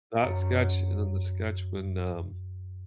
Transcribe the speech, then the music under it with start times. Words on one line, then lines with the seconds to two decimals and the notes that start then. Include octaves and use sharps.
That sketch and then the sketch when, um,
0.23 F#2 C#5